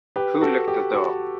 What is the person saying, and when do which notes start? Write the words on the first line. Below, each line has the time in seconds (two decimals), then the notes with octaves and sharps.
Who locked the door?
0.16 G4 B4
0.41 F#4 A4
0.68 G4
0.94 F#4